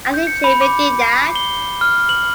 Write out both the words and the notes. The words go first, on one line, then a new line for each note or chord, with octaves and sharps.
I think Jamie did that.
G6
C#7
B5
D6
C7
G7
F6
F#7